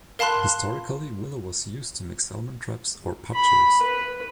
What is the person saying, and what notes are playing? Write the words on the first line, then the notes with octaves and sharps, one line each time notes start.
Historically willow was used to make salmon traps or "putchers".
A#4 F5 A5 B5 C6 F#6
B5
B4